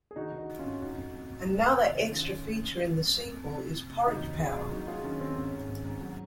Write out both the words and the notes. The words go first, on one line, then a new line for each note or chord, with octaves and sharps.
Another extra feature in the 'sequel' is "porridge power".
G#4
D#3 D#4 F#4
D#3
D#4 F#4
D#3
C#4 F4
G#1
F2 D#4 F#4
F2
F3
F2
F1
F1
D#3
D#3
D#3 C#4 F4
F#1
F#1
F#1
F#3
F2
F2
F2
C3
F3
F3
C3
D#2 D#4 F#4
F1
F1 F4 G#4
F#3
F#3 D#4 F#4
F#3 F4 G#4
D#3 C#4
D#2 C4
G#2 C#4
G#2
G#1
G#2
F#3